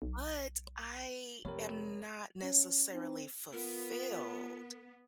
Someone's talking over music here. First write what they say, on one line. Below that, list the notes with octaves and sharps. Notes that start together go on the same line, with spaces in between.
but I am not necessarily fulfilled.
B1
F1 A3 G4 A#4 C#5
C#4
C4 D#4
B3 F4 A#4